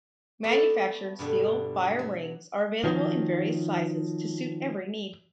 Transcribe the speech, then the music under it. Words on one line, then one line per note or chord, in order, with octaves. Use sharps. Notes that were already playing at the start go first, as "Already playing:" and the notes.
Manufactured steel fire rings are available in various sizes to suit every need.
A3 B3 F#4 A4 D5
G2 B2 D3 D4
F#3
D#3 F3 F#3